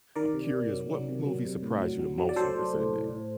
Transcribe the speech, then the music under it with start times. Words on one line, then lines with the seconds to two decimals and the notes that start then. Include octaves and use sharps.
I'm curious, what movie surprised you the most with it's ending?
0.15 D#3 A#4 D5
0.34 C3
0.52 C3
0.71 F#3
0.90 F#3
1.08 C3
1.26 F#3
1.45 C3
1.63 A2
1.82 F#3
1.99 F#3
2.18 F#3
2.29 D5
2.36 F#3 A4 C5
2.56 F#3
2.74 A2
2.92 A2
3.10 A2